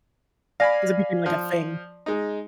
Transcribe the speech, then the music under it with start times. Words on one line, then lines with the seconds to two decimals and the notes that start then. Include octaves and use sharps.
'Cause it became like a thing.
0.60 D5 F5 G#5 B5 A#6
1.26 F3
2.06 G#3 D#4